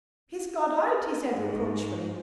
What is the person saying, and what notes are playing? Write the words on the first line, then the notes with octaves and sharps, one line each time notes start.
"He's got out," he said reproachfully.
G#2